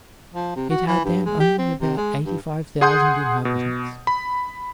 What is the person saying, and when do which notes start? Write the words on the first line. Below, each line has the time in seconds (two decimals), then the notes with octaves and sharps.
It had then only about eighty-five thousand inhabitants.
0.34 F3
0.56 C3
0.70 F#4
0.87 E3
1.05 G2
1.26 G#3
1.40 G4
1.58 C4
1.81 C3
1.97 G#3
2.26 G2
2.81 G#4 F#5 C6 D#6 G6
3.45 B2
4.07 B5